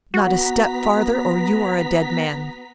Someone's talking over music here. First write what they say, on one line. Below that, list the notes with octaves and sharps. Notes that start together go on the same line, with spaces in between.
"Not a step farther, or you are a dead man!"
B3 F#4 A#5 B6